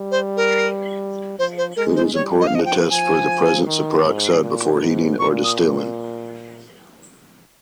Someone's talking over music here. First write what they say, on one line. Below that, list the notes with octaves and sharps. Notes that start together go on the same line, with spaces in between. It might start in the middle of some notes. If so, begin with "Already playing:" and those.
It is important to test for the presence of peroxides before heating or distilling.
Already playing: G3
C5
A#4
F3 C5
C5
G#3 A#4
C5
G3 C#5
D#5
F5
F3 D#5
G5
F3 G#5
D#3
G#2
A#2
G#2
A#2 C#6
D#6